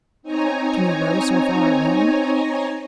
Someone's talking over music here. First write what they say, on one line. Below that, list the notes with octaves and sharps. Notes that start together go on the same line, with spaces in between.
"Can you row so far alone?"
C4 D#4 C#5 G#5 A#5